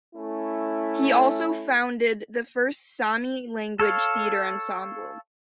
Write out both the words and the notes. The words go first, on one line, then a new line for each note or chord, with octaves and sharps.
He also founded the first Sami language theatre ensemble.
A3 C#4 E4
A4 C#5 F5